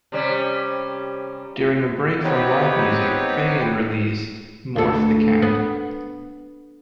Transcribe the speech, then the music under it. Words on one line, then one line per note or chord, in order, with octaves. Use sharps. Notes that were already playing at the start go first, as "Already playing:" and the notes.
During a break from live music, Fagen released "Morph the Cat".
C3 G3 C#4
B3 C4 D#4 G4 B4 C#5
D2 A4
B3